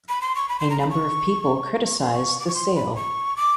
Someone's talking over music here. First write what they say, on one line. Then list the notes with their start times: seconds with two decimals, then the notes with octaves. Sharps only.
A number of people criticized the sale.
0.09 B5
0.21 C6
0.35 C#6
0.49 B5
0.59 C6
0.70 A#5
0.79 B5
0.90 C#6
1.86 C#6
2.00 C6
2.13 C#6
2.40 D6
2.48 C#6
2.55 C6
2.75 B5
2.96 C#6
3.37 D6